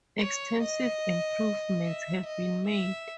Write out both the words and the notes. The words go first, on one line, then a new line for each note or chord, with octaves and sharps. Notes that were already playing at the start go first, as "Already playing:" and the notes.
Extensive improvements have been made.
C#5
D#5
E5
D#5
E5